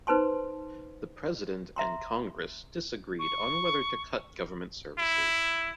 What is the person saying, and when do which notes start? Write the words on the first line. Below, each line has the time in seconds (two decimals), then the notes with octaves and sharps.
The president and congress disagreed on whether to cut government services.
0.07 D#4 B4 C5 A5 C6
1.76 E5 A#5 C6
3.19 C#6
4.98 E4